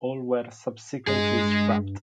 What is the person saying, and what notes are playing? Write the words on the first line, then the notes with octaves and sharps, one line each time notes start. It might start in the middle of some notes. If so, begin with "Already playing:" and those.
All were subsequently scrapped.
G2 G#3 G#4